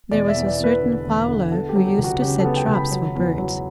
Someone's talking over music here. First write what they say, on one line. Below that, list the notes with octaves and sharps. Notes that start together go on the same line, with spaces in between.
There was a certain fowler who used to set traps for birds.
E1 D5
E5
E2
D5
E2 B4
D3
E1
D3
B3 A4
G4
F#3
G4
C#2
F#4
C#3 G4
A4
B3
G5
C#2
B5
F#3
E2
F#3